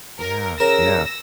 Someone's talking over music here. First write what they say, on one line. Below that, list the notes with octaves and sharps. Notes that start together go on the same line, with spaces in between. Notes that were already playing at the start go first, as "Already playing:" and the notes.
yeah, yeah.
A#4
C#3 A#4 E6 A#6